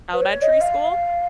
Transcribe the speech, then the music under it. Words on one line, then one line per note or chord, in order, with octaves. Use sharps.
elementary school,
B4
C#5
D#5
F5